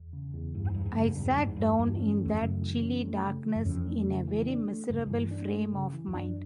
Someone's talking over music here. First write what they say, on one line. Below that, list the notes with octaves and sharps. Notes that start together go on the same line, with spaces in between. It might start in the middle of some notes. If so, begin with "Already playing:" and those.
I sat down in that chilly darkness in a very miserable frame of mind.
Already playing: E2
C#3
E2
G2 E3
G#2
E2 G2
G#2
G2 C#3
G#2
E2 G2
G#2
G2 E3
G#2
E2 G2
G2 E3
C#4
A3
E2
F2
F#2 C#3
E3
C#4
A3
C#3
E3
F#2
F2 C#4
A3
C#3
E3
D4
A3
G2 C#3
G#2
G2 E3
D4
A3
C#3
E3
F2
F#2 D4